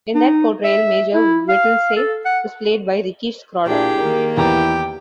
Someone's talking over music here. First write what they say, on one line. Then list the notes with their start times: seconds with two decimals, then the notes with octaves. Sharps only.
In that portrayal Major Whittlesey was played by Ricky Schroder.
0.15 D#4
0.64 E5
1.14 E4
1.49 F5
1.96 A4
2.25 F#5
3.67 A#2 D4 E4 G4 G#4
3.99 D#3 A#3 A#4
4.37 E2 E4 G4 A#5